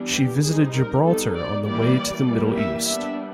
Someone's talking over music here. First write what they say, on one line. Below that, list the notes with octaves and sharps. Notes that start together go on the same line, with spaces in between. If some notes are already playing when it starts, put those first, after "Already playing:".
She visited Gibraltar on the way to the Middle East.
Already playing: E3 G3 B3 D4
G4
G3 C4 D#4 G#4
A#4
G3 B3 D#4 A4
D5
E3 G3 A#3 D5
E3 G3 A#3
E5
G3 B3 D4 E5